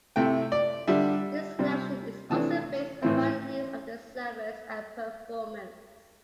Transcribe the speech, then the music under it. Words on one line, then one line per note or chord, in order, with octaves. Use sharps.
This selection is also based upon the needs of the service and performance.
C3 A3 E4 G5
D5
D3 G3 D4 E5
C3 G3 C4
C3 E3 A3 D4 A5
A2 E3 C4 E4